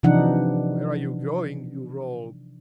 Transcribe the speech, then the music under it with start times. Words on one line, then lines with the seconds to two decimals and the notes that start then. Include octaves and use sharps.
"Where are you going, you rogue?"
0.03 C3 E3 F3 D4 D#4 F#5